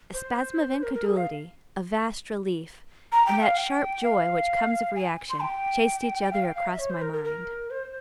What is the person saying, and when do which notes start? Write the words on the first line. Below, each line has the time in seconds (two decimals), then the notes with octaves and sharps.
A spasm of incredulity, a vast relief, and that sharp joy which comes of reaction chased each other across my mind.
0.14 C5
0.83 A#4
0.94 A#4
1.05 G#4
1.16 F5
3.12 A#5
3.26 G5
3.42 F5
3.58 G5
4.03 F5
4.95 G#5
5.30 C6
5.40 G5
6.33 F5
6.44 G5
6.55 F5
6.67 E5
6.79 C#5
6.90 C5
7.02 A#4
7.13 A#4
7.24 A#4
7.71 C5